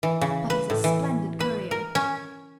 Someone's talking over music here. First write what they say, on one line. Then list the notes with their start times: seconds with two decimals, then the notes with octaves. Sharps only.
But he's a splendid courier.
0.03 E3
0.21 C#3
0.50 B4
0.70 A2
0.84 E3
1.40 B4
1.71 A#4
1.95 C#4